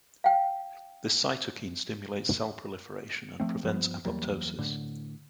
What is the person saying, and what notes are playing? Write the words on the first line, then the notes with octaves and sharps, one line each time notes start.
This cytokine stimulates cell proliferation and prevents apoptosis.
F5 G5
F3 A3 C4
G2 F3 B3
E2 F#3 G3 A#3
A2 D3